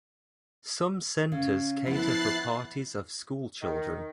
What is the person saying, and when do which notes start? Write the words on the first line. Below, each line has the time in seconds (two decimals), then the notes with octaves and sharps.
Some centres cater for parties of school children.
1.32 C#3
1.87 F3 B3 E4 F#6 A6 C7
3.62 D#3